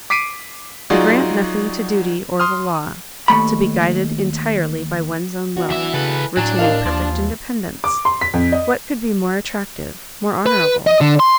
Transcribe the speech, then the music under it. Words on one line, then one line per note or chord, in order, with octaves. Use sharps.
To grant nothing to duty or the law, to be guided entirely by one's own will, retaining perfect independence--what could be more attractive, more honorable?
D6 B6 C7 D7 D#7
F#3 D#4 F4 F#4 G#4 D5
C6 D#6 F6
D#2 A3 B5
B3 D4 F#4
E3 E5
C#3 E3 A4 B4
A2 F#3 D4 G#5
D#2 A#4 D#5 F5
D#2 E3 F3
D6
C6
B6
F2
D#5
B4
D#5
D3
C6